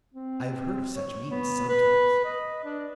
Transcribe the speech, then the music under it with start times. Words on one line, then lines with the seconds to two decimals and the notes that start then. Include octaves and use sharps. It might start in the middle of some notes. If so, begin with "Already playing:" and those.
I have heard of such means sometimes.
0.14 C4
0.96 C#5
1.30 B3
1.69 B4
2.25 D#5
2.64 D4